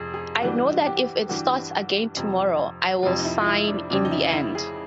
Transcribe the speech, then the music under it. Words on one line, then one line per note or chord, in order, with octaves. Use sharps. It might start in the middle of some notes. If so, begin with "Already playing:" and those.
I know that if it starts again tomorrow, I will sign in the end.
Already playing: F2 C3 G#4
G#4
G2 E3 G3 F#4
G4
G2 E3 G3 F#4
F2 C3 F3
F2 C3 F3 F4
D#4
E4
F4
E4
D4
F2 C#3 F#3 D4
D#4
E4
E4
G#4